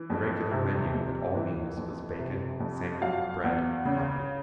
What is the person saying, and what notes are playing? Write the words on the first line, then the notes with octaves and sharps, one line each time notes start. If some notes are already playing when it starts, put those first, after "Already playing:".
The regular menu at all meals was bacon, salmon, bread, and coffee.
Already playing: E3
F2
C3
F2
E3
F2
C3
F2
F#3 F5
E2
C#3